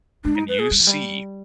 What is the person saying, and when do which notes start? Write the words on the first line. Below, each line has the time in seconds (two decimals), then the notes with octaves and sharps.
and you see,
0.24 G#3 D4
0.35 D#4
0.48 B4
0.59 G#4
0.71 G3
0.79 F3
0.87 G3